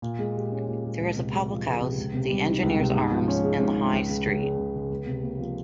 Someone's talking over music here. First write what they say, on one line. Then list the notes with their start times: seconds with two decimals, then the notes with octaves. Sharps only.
There is a public house, The Engineer's Arms in the high street.
0.02 A#2
0.19 G#3
0.35 G4
0.52 C#4
0.67 A#2
0.84 G#3
1.00 C#2
1.16 C3
1.33 G#3
1.49 F3
1.65 C#2
1.81 C3
1.98 C#2
2.14 C3
2.30 G3
2.46 D#3
2.63 C#2
2.79 C3
2.95 G#2
3.12 F3
3.28 C#4
3.44 G#3
3.60 G#2
3.77 F3
3.93 C#2
4.09 C#3
4.25 C#2
4.41 G#3
4.58 C#2
4.74 C#3
4.90 C#2
5.06 C3
5.23 A#3
5.39 F3